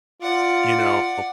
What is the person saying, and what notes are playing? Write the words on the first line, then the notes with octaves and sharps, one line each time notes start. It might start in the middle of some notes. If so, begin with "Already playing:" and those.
you know?
F4 D5 F#5